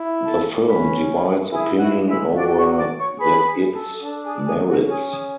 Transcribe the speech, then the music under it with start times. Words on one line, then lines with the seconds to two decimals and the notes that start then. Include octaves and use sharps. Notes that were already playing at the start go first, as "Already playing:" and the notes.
The film divides opinion over the its merits.
Already playing: E4
0.25 A4 A5
0.67 C#4 B4 B5
1.51 E4 G#4 G#5
1.79 E4 F#4 F#5
2.06 G#3 E4 E5
2.35 D4 F#4 D5
2.56 C#5 C#6
2.77 D5 D6
2.98 C#5 C#6
3.19 G#4 B4 B5
3.48 G#4
3.75 A4
4.03 D4 A4 A5
4.24 G#4 G#5
4.45 G#4 G#5
4.66 F#4 F#5
4.87 C#4 G#4 G#5
5.08 G#4 G#5